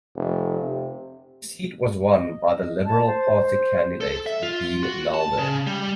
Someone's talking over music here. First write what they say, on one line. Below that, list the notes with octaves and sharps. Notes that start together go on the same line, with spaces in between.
The seat was won by the Liberal Party candidate, Dean Nalder.
F1
C3
D#5
A5
C5
A4
E5
F4
F#4
A5
C#3
G3